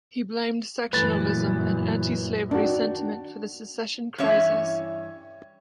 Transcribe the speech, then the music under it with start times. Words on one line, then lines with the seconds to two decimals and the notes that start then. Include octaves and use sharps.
He blamed sectionalism and anti-slavery sentiment for the secession crisis.
0.93 F#2 A#2 E3 A3 B4 A6
2.51 D#3 D4 F#4
4.18 G2 E3 C#4 C#5 E5